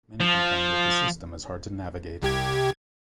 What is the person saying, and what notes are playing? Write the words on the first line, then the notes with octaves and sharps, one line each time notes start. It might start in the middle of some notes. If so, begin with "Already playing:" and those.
Many complain that the system is hard to navigate.
F3
C2 G4 G#6